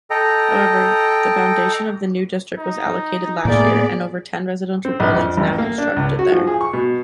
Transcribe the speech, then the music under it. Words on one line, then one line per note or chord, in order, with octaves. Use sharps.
However, the foundation of the new district was allocated last year, and over ten residential buildings now constructed there.
A4 D#5 G5 A#5
D#4
A2 A#3 B3 G#4 D5
C4
A#1
F2
A1
A#3
D4
C#2
F#4
F3
G#4
C#6
B2